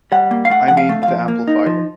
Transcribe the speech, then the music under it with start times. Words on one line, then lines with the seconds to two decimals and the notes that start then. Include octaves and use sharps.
I mean, the amplifier.
0.12 G3 F#5
0.31 A#3
0.45 F5
0.50 A3 F#5
0.68 F3 F#5
0.77 F5
0.89 A3
1.03 F5
1.08 F3
1.28 A#3
1.47 D#4
1.66 F3